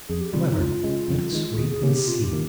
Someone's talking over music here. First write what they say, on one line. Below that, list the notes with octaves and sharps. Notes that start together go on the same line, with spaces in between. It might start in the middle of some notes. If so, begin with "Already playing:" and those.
However, let us wait and see.
F2 G#4
G4
C3 D#3 G3 F4
F4
D#4
C#2 F4
C#3 G#3
F2
D#3 G#3
D#2 G#4
G#4
D#3 A#3 C#4 G4
G4
C3 F4
G4
D#3 A#3